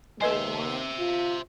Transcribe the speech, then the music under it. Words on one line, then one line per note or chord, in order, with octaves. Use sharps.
the one
D#2 B4 C5 D#5 E5 G#5
F4